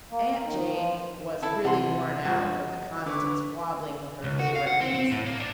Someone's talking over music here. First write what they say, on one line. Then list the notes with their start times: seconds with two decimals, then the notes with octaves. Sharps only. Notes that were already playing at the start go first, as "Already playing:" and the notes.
Aunt Jane was really worn out with the constant squabbling with her favorite niece.
0.12 A#3
0.45 D#3
0.72 F3
1.42 E4 A4
1.65 C3 E3 F#5 C6
2.25 G2 F3 G#3 F#4
2.53 D#5
3.06 D3 B4 C#6 D6
4.24 C#2
4.40 F#4
4.55 F5
4.67 F#5
4.81 C4
4.94 C4
5.11 A2
5.26 A#3
5.39 D4